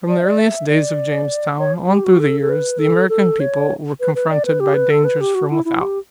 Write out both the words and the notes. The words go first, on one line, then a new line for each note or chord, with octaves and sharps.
From the earliest days of Jamestown on through the years, the American people were confronted by dangers from without.
D5
E5
D5
E5
D5
C#5
G4
F#4
A4
A4
B4
A4
A4
C#5
B4
B4
D5
B4
G4
B4
A4
B4
G4
F#4
E4
E4
G4